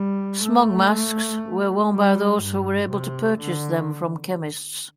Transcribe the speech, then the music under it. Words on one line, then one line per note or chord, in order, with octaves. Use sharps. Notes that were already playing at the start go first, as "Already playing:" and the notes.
"Smog masks" were worn by those who were able to purchase them from chemists.
Already playing: G3
A3
G3
G2
C3
D3